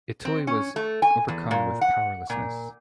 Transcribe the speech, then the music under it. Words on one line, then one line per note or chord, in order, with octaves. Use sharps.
Itoi was overcome with "powerlessness".
C4
C#4
A3
G#5
E2
A#2
F#5
A#2